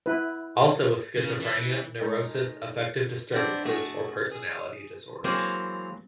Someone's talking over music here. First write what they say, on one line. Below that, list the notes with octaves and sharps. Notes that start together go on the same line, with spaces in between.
Also with schizophrenia, neurosis, affective disturbances or personality disorders.
E4 B4
C#3
E3
G#3 A3 D#4 A4 A#4
B3 C4 D4
A3 F#4 G#4
G#4
E3 F#3 G#3 A#3 C4